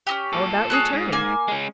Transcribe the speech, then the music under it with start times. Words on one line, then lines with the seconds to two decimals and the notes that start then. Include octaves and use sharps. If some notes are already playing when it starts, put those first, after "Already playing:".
"How about returning?"
0.07 C#4 D#4 G4
0.33 A#2 A4
0.70 G#4 C#5 F#6
0.93 G#2
1.12 A#3 G#5
1.48 G#3 C#4